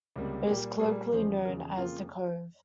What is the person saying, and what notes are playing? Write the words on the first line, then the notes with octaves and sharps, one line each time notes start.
It is colloquially known as "The Cove".
C#2 C3 G3 A#3
A#2 G3 A#3 G4
A#2 G3 A#3 G#4
E2 C#3 F3 C5
E2 C#3 F3 A#4
G#4
F2 C#3 F3 A#3 F4